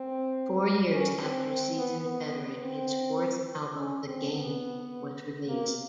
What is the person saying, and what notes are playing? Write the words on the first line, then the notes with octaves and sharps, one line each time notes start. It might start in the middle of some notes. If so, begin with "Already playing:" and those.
Four years after "Seasoned Veteran", his fourth album "The Game" was released.
Already playing: C4
C#4
C4
C4
B3
B3
C4
C#4
C4
B3
A#3